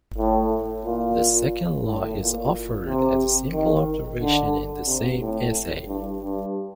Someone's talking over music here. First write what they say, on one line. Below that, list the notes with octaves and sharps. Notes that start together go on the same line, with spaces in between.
The second law is offered as a simple observation in the same essay.
A2
A#2
A2
A#2
C3
D#3
D3
C3
A2
G2
G2